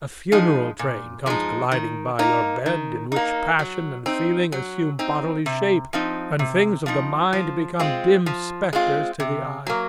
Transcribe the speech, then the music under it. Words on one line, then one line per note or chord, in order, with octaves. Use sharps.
A funeral train comes gliding by your bed in which passion and feeling assume bodily shape and things of the mind become dim spectres to the eye.
F3 G#3 D#4
A#2
F3 G#3 D#4
D#3
A#3 D#4
D#3
A#3 D#4
F#3
C4 D#4
F#3
C4 D#4
C3
F3 C4 D#4
C3
F3 C4 D#4
F3
G#3 C4 F4
F3
G#3 C4 F4
C3
F#3 A#3